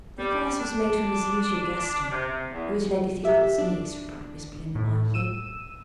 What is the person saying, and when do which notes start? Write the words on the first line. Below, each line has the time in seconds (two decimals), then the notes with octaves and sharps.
"The first was made for Miss Lucia Gaston, who is Lady Theobald's niece," replied Miss Belinda mildly.
0.19 G3
0.59 D4
2.11 C3
2.52 E2
3.24 G4 E5
3.58 D4
4.75 A2
5.14 E6 D#7 E7